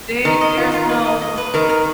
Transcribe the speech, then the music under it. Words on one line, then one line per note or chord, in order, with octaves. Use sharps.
they there's no
D#3 D#5
D#5
F4
F4
B4
D#5
D#5
B4
D#3 A#4
A#4